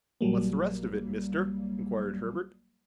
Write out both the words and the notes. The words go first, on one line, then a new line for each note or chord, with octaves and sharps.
"What's the rest of it, Mister?" inquired Herbert.
A#1 F#3 G3 A#3